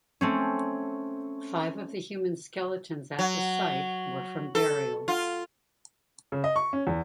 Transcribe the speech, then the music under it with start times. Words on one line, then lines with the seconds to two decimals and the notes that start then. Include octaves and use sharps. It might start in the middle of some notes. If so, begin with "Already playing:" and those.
Five of the human skeletons at the site were from burials.
0.21 A3 C4 C#4
3.19 F#3
4.55 A4
5.08 F4
6.32 C#3
6.44 D#5
6.56 C#6
6.73 C#4
6.87 E2